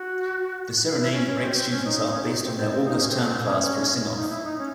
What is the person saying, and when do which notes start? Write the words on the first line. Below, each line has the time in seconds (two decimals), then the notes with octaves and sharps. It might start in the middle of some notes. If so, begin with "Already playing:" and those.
The serenade breaks students up based on their August Term class for a sing-off.
Already playing: F#4
0.98 E4
1.13 C#4
1.28 C#4
1.42 C4
1.56 C4
1.71 C#4
1.85 D#4
1.99 D#4
2.13 C#4
2.23 D#4
2.42 C4
2.57 C4
2.71 C4
2.85 D#4
3.00 C#4
3.09 C4
3.19 A3
3.29 C4
3.43 C#4
4.15 D#4
4.29 E4
4.44 D#4
4.58 C#4